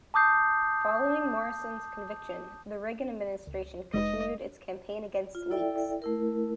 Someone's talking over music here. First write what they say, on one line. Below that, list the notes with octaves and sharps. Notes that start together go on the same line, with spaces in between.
Following Morison's conviction, the Reagan administration continued its campaign against leaks.
A5 D6 D#6 G6 C7
C#2
F1 G#3 D#4 B4 D#5
F4
E4 A4 D5 E5 G5
A3 E4 A#4